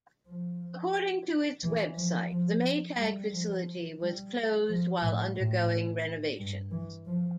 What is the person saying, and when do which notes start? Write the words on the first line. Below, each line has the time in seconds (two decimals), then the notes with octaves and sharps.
According to its website, the Maytag facility was closed while undergoing renovations.
0.27 F3
1.63 E3
1.97 F3
2.32 F3
2.99 G3
3.33 F3
4.01 G3
4.69 F3
5.02 A2
5.36 A2
6.39 G2
6.71 E3
7.06 F3